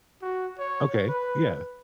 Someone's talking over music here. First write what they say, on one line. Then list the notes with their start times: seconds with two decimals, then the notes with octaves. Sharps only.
Okay. Yeah.
0.22 F#4
0.59 C#5
1.09 B4